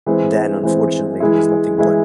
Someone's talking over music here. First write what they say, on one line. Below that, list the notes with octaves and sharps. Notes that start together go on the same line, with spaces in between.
Then unfortunately, there's nothing but
E3 G#3 C4
E3 G#3 C4
E3 G#3 E4
E3 G#3 E4